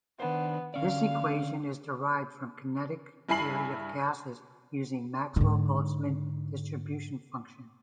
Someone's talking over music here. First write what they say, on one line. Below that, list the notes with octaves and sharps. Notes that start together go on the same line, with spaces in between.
This equation is derived from kinetic theory of gases using Maxwell-Boltzmann distribution function.
D#3 B3 D4 C5
D3 C#4 D5 F5
G2 E4 G#5 B5 C7 F#7
G#2 D3